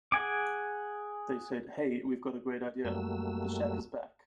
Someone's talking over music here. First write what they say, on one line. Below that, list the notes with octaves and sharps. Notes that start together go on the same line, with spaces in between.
They said, Hey, we've got a great idea: 'The Shack is Back!
G#4 F#5 G#5 D6
F#2 G3 A3 A#3 F#4 E6